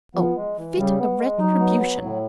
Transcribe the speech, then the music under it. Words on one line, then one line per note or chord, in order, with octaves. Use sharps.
Oh, fit retribution!
F3 B3
G#3
E3
C#3 G3
B3
G#3
F#3 D#4
B3
F#3
A2